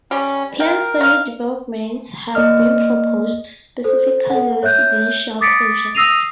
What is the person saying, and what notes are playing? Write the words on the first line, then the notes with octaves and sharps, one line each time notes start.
Plans for new developments have been proposed, specifically residential projects.
G3 C#4
A#4 G5
D#4 F5
A#3 D5 D#5 F6
A4 C5
A4 F#5
C#5 E5 F#6 G6
D6 D#6 A6 B6 C#7 D7
D#6 E6 A#6 C7 D#7 F7